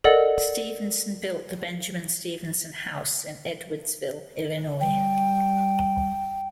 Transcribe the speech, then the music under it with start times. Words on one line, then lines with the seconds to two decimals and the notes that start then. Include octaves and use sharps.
Stephenson built the Benjamin Stephenson House in Edwardsville, Illinois.
0.04 A4 A#4 D5 D#5 F#5
4.81 G3 G5